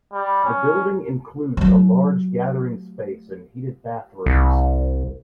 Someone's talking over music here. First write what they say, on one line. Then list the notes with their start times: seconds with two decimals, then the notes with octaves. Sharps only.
The building includes a large gathering space and heated bathrooms.
0.13 G3
0.45 C#4
1.57 F#3 A3
4.26 C2